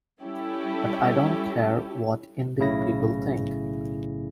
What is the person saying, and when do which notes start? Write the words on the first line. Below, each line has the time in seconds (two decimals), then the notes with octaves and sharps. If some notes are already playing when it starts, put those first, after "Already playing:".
But I don't care what 'indie people' think.
0.21 G3 C#4 E4 G4 A4
2.58 B1 A2 C#3 E4 A#6